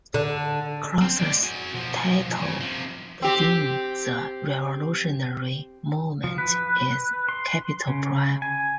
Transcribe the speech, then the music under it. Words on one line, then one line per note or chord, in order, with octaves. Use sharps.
Croser's title within the revolutionary movement is Capital Prime.
D3
C4
G#3 D5
F#4 G#5
B1 F3
G2 C#3
C3 F3
C4 G4
F3
B4
C6
C#3
G#5